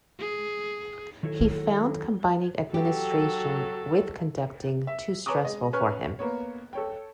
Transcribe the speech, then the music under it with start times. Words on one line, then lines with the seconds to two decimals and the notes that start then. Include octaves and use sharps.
He found combining administration with conducting too stressful for him.
0.20 G#4
1.23 D#3 F#3 E4 A4 D5 G#5
2.74 F#3 G4 A4
4.87 E5
5.26 B4 C#5 G#5 A#5 D6 D#6
5.45 G#3 D#5
5.73 C#4 B4 G#5 C#6 F6
6.19 A#3 B3 C#5
6.73 A4 C#5 G5